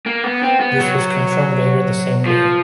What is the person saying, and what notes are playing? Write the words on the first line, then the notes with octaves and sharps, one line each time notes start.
This was confirmed later the same day.
A#3
B3
C4
B3
F#3
F3